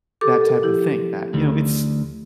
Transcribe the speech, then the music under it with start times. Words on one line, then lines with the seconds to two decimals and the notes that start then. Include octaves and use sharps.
that type of thing, that, you know, it's
0.21 G4 A4 D6
0.41 A4 A#4
0.63 F3 E4 G4
1.34 D2